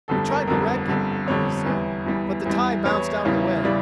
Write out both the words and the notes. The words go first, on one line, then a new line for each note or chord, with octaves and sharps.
"We tried to wreck it," he said, "but the tie bounced out of the way."
G1 F2 D3 G3 A4
A#4
G1 F2 D3 G3 A#4
G1 F2 D3 G3
G1 F2 D3 G3 C#5
E2 E3 G3
E2 E3 G3
E2 E3 G3
E2 E3 G3 C#5
E2 C#3 E3 G3
C#3 E3 G3 D5